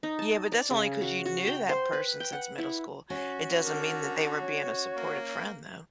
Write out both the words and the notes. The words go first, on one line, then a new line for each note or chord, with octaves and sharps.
Yeah, but that's only because you knew that person since middle school. It doesn't mean that they were being a supportive friend though.
D#4
A5
D5
C#3
F#4
F#4
G5
C5
B4
G5
F#5
E4
C#4 F#4
D3 A#4
C#5
A#3